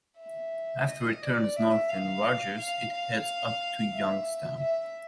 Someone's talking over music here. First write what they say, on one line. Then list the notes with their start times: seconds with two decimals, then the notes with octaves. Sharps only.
After it turns north in Rogers, it heads up to Youngstown.
0.21 E5
0.88 D#5
1.22 D5
1.57 E5
1.89 F5
2.58 F5
2.92 F5
3.93 E5
4.61 E5